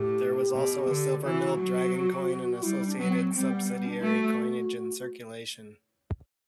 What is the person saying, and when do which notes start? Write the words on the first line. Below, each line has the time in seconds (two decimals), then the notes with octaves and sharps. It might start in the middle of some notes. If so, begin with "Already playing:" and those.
There was also a silver milled dragon coin and associated subsidiary coinage in circulation.
Already playing: A2 G4
0.54 B2
0.89 D3
1.19 G4
1.24 E3 F#4
1.59 F#3
2.63 G3 E4
2.79 E4
2.87 D4
2.98 F#3 B3
3.10 C4
3.33 G3 C4
3.51 B3
3.68 B3
3.86 D4
4.03 A3 F#4